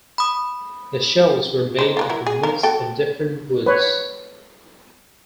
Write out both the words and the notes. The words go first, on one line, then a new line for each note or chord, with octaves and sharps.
The shells were made of a mix of different woods.
B5 D#6
D#4 C5
F4 A#4 B4
F#3 E4 A#4
G#4
F3 A#4
F#4 A4 G5
B4 C#5